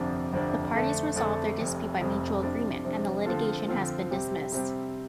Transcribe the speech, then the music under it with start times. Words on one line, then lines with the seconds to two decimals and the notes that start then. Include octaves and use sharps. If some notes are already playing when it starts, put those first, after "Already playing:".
The parties resolved their dispute by mutual agreement and the litigation has been dismissed.
Already playing: G1 F2 C3 F3 D4
0.33 G1 F2 C3 F3 D4
0.74 F2 D3 A3 D4 A4
1.16 F2 D3 A3 D4 A4
1.58 F1 F2 C3
2.01 F1 F2 C3
2.42 C3 F3 D4
2.85 C3 F3 D4
3.26 D3 F3 C4 F4 A4
3.68 D3 F3 C4 F4 A4
4.11 C3 G3 C4 G4
4.52 C3 G3 C4 G4